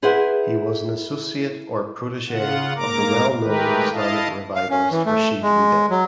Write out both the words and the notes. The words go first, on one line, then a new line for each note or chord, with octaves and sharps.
He was an "associate" or "protege" of the well known Islamic revivalist Rashid Rida.
E4 G#4 B4 C5 E5 F#5
C#3 F4 F#5
G#2 A#3 A#4 A#5 D6
D#3 G#3 A3 G4 A#4 B4
E4 D#5 F5 A5
F5
C#4
E3
A3
G#3
F#3